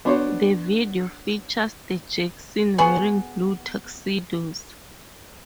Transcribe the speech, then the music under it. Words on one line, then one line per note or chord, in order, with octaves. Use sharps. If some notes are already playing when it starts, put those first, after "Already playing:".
The video features The Jacksons wearing blue tuxedos.
B3 D4 F#4 C5 C#5
B3 F#4 G#4